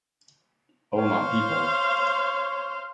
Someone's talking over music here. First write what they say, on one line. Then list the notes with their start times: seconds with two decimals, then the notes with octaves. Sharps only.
O my people!
0.98 C5 C#5 F5